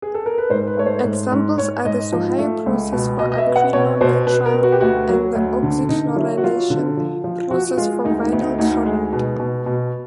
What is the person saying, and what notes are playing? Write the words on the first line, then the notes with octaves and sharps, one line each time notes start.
Examples are the Sohio process for acrylonitrile and the oxychlorination process for vinyl chloride.
G#4
A4
A#4
B4
G#2 C5
B4
A3 C#5
C5
G#2
G#2
G#2 C#5
G#2 D#5
F3
A3
C#2
B2
B2 D#5
D#5
E5
B3
F#5
B2 C#5
B2 C5
B2 B4
A#4
B3
F#4
G4
D2 F#4
F#3
D2
D3
D3 D#4
F#3 E4
F#4
F#3 F4
D3
F3
F3
F3 F#4
G#3 F4
D2 D#4
D#4
D2
D#4
D2 D#4
G#3
B2
B2
B2